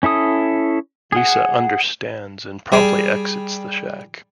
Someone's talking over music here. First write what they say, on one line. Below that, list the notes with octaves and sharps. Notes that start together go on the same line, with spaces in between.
Lisa understands and promptly exits the shack.
C#4 E4 A4 D#6
G#4 F#5
G3 G#4